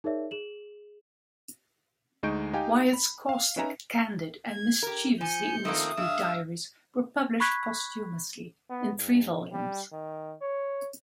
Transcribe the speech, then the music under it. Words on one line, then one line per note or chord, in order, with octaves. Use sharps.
Wyatt's caustic, candid and mischievously indiscreet diaries were published posthumously in three volumes.
D#4 G#4 A#4 C#5 D5 E5
G#4 E7 F#7
D2 G#3 D#4 C#6 G6 D7
D#4 G4 F5 G5 G#5
B5
F5
C#4 D#4 B4 E5 G#5 A#5
G#6
G4 A#4
F3 G#5 G6 C#7
D#3 F3 A3 A#3 C4 D#6
G2 E5 F5 E7
B5 C#6 F#6 G#6 B6
B3
G2
G3
D#3
C#5